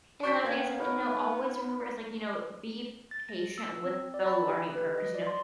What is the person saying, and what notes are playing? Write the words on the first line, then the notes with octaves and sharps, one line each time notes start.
And the other thing is, like, you know, always remember is, like, you know, be patient with the learning curve. 'Cause you know,
D4 F#4 C#6 G6 B6
A#3 B3 F5 G5 G#6
D#4 A#4 C#5 B5
A6
A#6
E6
C4
D5
B5
G4
B4
D#5
D5
C6